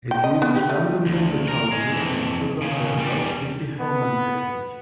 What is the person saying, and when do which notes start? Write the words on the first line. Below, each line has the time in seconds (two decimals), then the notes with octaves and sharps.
It uses random number challenges instead of the above Diffie-Hellman technique.
0.11 G5
0.24 D#5
0.42 B3
0.55 G4
0.69 A3
1.06 D2
1.48 A#4
1.72 G#3
1.93 F2 E3
2.62 D#2 C#3
2.98 E2 G3
3.80 B3